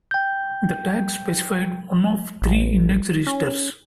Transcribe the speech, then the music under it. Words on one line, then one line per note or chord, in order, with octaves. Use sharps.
The tag specified one of three index registers.
G5 G6
A1
C#4